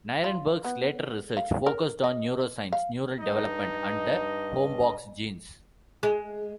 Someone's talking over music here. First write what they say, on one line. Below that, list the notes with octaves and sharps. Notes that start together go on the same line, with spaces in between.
Nirenberg's later research focused on neuroscience, neural development, and the homeobox genes.
F4
B3
F5
A#4
D#5
F5
G2 D#4 D#5
G#3